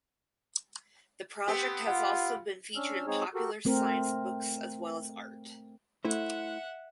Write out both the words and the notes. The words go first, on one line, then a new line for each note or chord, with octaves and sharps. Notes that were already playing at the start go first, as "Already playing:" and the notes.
The project has also been featured in popular science books as well as art.
B3 C4 G4
F4 F#5
C#4 D4 E6 F6
G#3 C4 D#4 G#4 C#5
F#4 G4 A4 A#4
A3 C4 A#4
A3 E4 C5 E5 F#5